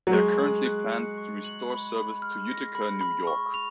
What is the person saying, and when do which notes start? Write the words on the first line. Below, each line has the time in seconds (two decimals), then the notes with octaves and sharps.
There are currently plans to restore service to Utica, New York.
0.07 F#3
0.13 G#3 C#6
0.39 F#7
0.65 F#6
0.92 C#7
1.18 C#6
1.44 F#7
1.70 B5
1.96 B5
2.22 F6
2.49 A#6
2.75 B5
3.01 B5
3.27 C#6
3.54 F7